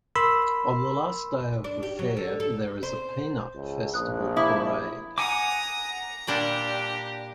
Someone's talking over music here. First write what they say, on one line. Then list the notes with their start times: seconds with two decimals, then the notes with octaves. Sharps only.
On the last day of the fair, there is a peanut festival parade.
0.15 A#4 B5 C6 E6
1.64 D4
1.83 G4
1.99 F#3
2.17 D3
2.40 A4
2.83 C5
3.55 C#2
3.94 A#1 D#6 F#6
4.37 E4 B5 D6 D#6
5.18 F#5 G#5 A#5 D6 D#6
6.27 A#2 G3 D4 G4